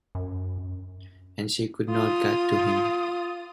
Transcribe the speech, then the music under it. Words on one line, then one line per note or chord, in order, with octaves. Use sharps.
And she could not get to him.
F#2
F4 D#6